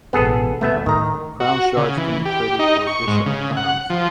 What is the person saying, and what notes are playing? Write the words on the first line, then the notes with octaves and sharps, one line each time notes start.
Crown Shards can be traded for additional Crowns.
E1 A1 B3 G#4 A4
D#1 D#2 A3 B3 E5
A2 D#3 A#5
F#4
C#3
E3
G4
D#4
C#6
G#2
C#3
F#5
F3